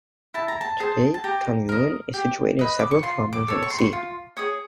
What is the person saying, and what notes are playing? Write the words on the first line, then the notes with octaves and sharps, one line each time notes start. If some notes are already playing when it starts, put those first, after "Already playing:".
Today Kauniainen is situated several kilometres from the sea.
E4 A5
A#5
A5
G#4 C5 A5
A5
G4 A#5
A#4 D#5
G4
B4 D#5
D6
C#6
F4 C6
D6
A4 C#5
C#6
C6
C#6
F4
G#4 C#5 D#6